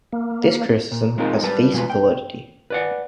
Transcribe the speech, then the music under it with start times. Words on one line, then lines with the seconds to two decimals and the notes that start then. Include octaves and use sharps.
This criticism has face validity.
0.13 A#3
0.92 A#2
1.18 G#3 C4 D#4 F4 A#4
1.43 G3 B4 A5
1.74 B2 G#3 F4 B4
1.90 G5
2.70 B4 D5 F#5